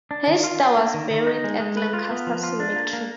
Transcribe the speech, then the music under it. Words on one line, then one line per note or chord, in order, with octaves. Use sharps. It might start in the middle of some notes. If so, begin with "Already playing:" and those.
Hiester was buried at Lancaster Cemetery.
D4
D#3
F4
D4
A#3
D#3
D#3
D#4
G#3
G#3
B4
F4
B3
F3
F4
D4
A#3
A#3